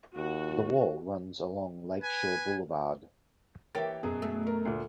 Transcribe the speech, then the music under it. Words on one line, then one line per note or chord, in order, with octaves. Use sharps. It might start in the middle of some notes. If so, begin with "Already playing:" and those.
The wall runs along Lakeshore Boulevard.
D#2 F#4
B4 G#5
E3 A#3 G4 C#5 E5 G5 A6
F#2 B2 G#4
A3
A#4
D2 A#2